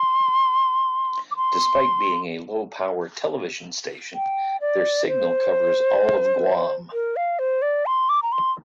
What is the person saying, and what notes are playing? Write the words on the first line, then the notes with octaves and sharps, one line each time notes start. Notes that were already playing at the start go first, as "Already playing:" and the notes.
Despite being a low-power television station, their signal covers all of Guam.
Already playing: C6
D6
C6
G5
D5
C5
A#4
F5
C5
D5
C6
D6
A#5
C6